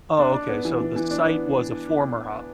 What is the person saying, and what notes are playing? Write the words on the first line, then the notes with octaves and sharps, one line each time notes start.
Oh, okay, so the site was a former ho
D4
D4
B3
E3
E3
E3
D4
B3